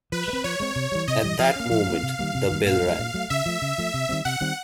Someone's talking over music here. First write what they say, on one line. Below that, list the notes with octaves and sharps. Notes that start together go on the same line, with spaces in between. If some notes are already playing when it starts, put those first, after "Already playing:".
At that moment the bell rang.
F3 B4
G#3
C4
F3 C#5
G#3 C4
C3
E3 G3
C3 D#5
E3 G3
F3 F5
A#3 C#4
F3 F5
A#3 C#4
C3
D#3 G3 A#3
C3
D#3 G3 A#3
A#2 F5
F#3 A3
A#2
F#3 A3
C#3 E5
F3 A3
C#3
F3 A3
C3
D#3 G3 C4
C3 F#5
D#3 G3 C4